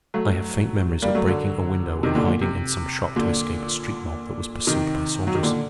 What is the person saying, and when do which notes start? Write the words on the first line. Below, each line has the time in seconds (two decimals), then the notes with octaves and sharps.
I have faint memories of breaking a window and hiding in some shop to escape a street mob that was pursued by soldiers.
0.14 F#3 A3
1.02 G3 A#3
1.15 F#3 A3
1.28 D3 F#3
2.03 C3 D#3
2.15 A#2 D3
2.28 A#2
2.41 C3
3.16 A#2 D3
4.67 C3 D#3
5.27 F#3
5.35 D#3
5.43 A#2 D3